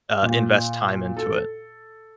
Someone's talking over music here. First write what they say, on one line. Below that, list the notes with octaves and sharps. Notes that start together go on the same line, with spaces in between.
uh, invest time into it.
A#2
A4